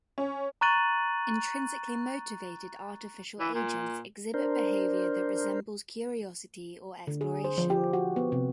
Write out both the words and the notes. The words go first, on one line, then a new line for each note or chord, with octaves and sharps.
Intrinsically motivated artificial agents exhibit behaviour that resembles curiosity or exploration.
C#4
A#5 C#6 F#6 A6 D#7 F#7
E3
A#2
D4 A#4 C5
D3
G#4
C5
F3
G4
F#4
B3
C3